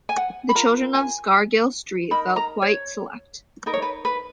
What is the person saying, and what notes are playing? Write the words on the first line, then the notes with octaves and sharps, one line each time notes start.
The children of Scargill Street felt quite select.
G#5
F#5
B5
F4 A#4 A#5
G#5
D#4 A#4 B5
A#5
C#5
D#4 A#4 B4
C#5
B4
B4